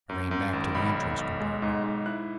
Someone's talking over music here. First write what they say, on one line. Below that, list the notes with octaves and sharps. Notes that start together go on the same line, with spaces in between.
I ran back to the entrance compartment.
F#2
F#2
G#1
B1 B5
B1
B1
G#3
G#2
G#2
E4 F#6